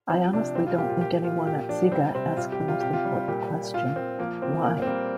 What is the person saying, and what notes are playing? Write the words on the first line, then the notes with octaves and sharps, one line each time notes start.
I honestly don't think anyone at Sega asked the most important question: 'Why?
F3 C4
C3 D4
G3 C4
F4
A#2 G4
F4
A#2 G4
F3 F4
A#2 G4
F3 D4
G3 C4
C3 C4
C3 F4
G4
C3
F4
C3 G4
F4
G3
A#2 G4
A#2
A#2 F4
A#2 C4
F3 A#3
F3 C4
A#2 A#3
C4
G3 A#3